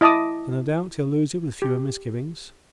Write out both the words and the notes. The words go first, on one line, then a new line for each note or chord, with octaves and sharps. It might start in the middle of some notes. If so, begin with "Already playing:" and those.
So no doubt he'll lose it with fewer misgivings.
E4 D#5 A5 D6 D#6
G4